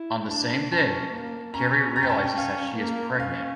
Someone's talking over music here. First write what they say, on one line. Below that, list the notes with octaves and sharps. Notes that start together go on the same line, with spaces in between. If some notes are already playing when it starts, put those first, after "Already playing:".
On the same day, Carrie realizes that she is pregnant.
Already playing: E4
D4 A5
C#4 A5
A#3
C#4 A#5
C#4 A#5
G5
A5
G5
C#4 F5
A#3
C#4 F5